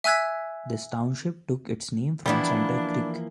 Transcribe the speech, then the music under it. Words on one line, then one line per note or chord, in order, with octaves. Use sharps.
This township took its name from Center Creek.
E5 G#5 E6 F#6 G#6 B6
E3 F3 G3 A#3 B3 D4 E4